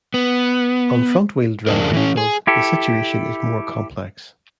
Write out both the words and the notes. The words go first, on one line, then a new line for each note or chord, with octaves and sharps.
On front wheel drive vehicles, the situation is more complex.
B3
F2 C#3 D4 G#4 A#4
E3 C#4
G#4
E4 G4 A4